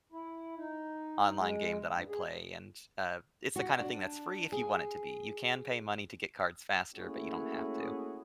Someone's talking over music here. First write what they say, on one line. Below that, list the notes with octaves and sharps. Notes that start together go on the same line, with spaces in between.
online game that I play, and, uh, it's the kind of thing that's free if you want it to be. You can pay money to get cards faster, but you don't have to.
E4
D#4
G#3
G2
G#4
F#4
D4
G#4
A3 A#3 C#4 E4 F#4 G#4